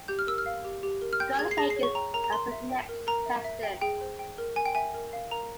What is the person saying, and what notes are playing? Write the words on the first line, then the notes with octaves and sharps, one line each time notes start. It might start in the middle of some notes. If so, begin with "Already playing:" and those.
Scott Hagan as the next president.
Already playing: G5
G4 G6
F6
A#4 E6
F6
F5
G4
G4
A#4
F6
G5 G6
G#4 G#6
C7
G#4 A#6
C7
C#5
C#6
G5 A#5
A#4 A#5
A#5
A#4 C6
E5
G5
A#4
A#4 A#5
E5
E5
G5
G#4 G5
C5
G5
A#4
A#4 G#5
G5
E5 G#5
A#4
F5
A#4 A#5